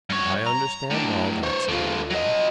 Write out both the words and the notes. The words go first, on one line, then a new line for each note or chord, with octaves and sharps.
"I understand all that Samuel."
G2 C#5
A#5
A2 D4
C5 C#5
D3 F4
F#3 D#5